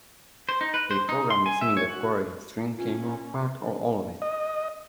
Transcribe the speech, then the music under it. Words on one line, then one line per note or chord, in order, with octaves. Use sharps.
A program receiving a query string can ignore part or all of it.
C5
D#4
B4
C5
D#4
C6
G#5
E5
C#5
F#4
C#4 F4
D#5